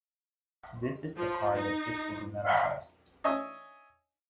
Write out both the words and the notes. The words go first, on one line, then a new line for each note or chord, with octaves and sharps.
This is the card that is to be memorized.
F3
D#4
C#5 D#5 E5 G#5 C#6 D#6